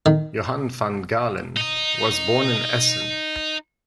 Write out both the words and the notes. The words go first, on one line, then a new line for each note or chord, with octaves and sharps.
Johan van Galen was born in Essen.
D#3
D#4 D#5